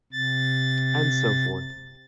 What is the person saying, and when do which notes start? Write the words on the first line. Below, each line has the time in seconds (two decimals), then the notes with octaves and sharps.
And so forth.
0.12 C3 A6